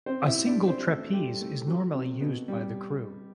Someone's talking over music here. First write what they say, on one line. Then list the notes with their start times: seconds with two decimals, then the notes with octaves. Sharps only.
A single trapeze is normally used by the crew.
0.06 C4 C5
0.27 E4 E5
0.47 D4 D5
0.67 C4 C5
0.87 A3 A4
1.13 G3 G4
1.41 A3 A4
1.67 F#3 F#4
1.94 C3 C4
2.21 B2 B3
2.48 G3